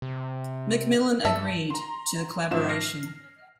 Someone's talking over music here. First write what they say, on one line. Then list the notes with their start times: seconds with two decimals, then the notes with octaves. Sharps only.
McMillan agreed to the collaboration.
0.02 C3
1.25 G2 A4 E5
1.70 A#5 C6
2.51 G#2 C#3 F3 E5 E7
2.69 F6 A#6 C7